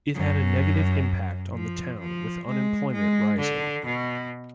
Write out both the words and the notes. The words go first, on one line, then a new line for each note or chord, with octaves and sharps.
It had a negative impact on the town with unemployment rising.
F#2
F3
F3
G#3
G#3
D3
B2